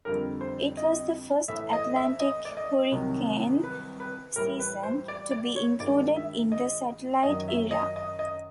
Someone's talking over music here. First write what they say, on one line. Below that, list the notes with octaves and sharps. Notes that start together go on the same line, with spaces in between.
It was the first Atlantic hurricane season to be included in the satellite era.
F2 D3 G3 A#4
C5
D#5
A2 E3 A3 E5
D#5
E5
D#5
D5
D#5
C2 C3 D#3 F#3
B4
B4
A2 E3 G3 A#4
B4
C5
D5
D5
C#5
G2 D#3 G#3 D5
E5
D#5
F#2 D#3 F#3 D#5
E5
D#5
D#5
D#5